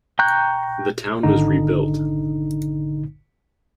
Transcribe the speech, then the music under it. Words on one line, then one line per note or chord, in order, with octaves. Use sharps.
The town was rebuilt.
G5 A#5 C#6 F#6 G6
G#1 D3 D#4